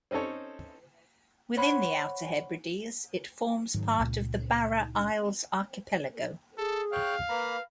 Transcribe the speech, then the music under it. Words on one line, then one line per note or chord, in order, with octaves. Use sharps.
Within the Outer Hebrides, it forms part of the Barra Isles archipelago.
C4 C#4 D#4 A4 C#5
C5 C#5 F#5 B5
G#2 D#3 F#3
C#2 A#2
G#4 A4
C#5 F5 G5 F#6
A#3 B4 A#5 B5